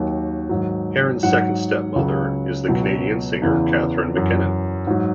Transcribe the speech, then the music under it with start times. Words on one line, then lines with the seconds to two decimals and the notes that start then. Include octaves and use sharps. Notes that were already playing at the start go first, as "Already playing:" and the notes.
Harron's second stepmother is the Canadian singer Catherine McKinnon.
Already playing: D#2 D#3 F#3
0.49 G#2 D#3 F#3
1.23 G#2 F#3 F#5
1.96 C#2 C#3 F#3
2.68 C#2 B2 F#3
3.42 E2 C#3 E3
4.14 F#2 E3
4.87 G#2 F#3